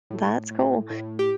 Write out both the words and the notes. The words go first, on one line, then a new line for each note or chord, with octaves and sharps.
That's cool.
A2
A2
A2
G4